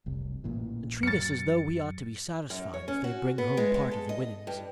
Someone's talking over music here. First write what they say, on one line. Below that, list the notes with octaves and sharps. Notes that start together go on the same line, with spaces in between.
And treat us as though we ought to be satisfied if they bring home part of the winnings.
F1 C2
A1 A#2 E3
F#2 A6 C#7
F#2
C#5
C#4
F#4
B3
G#3
G#3
A4
D#5
G2